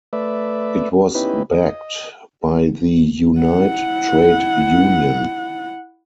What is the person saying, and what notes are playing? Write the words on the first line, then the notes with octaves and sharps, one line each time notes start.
It was backed by the Unite trade union.
A3 B4 D5 E5
B3 C#4 D#4 E4 G4 B4
D#5
E4 F#5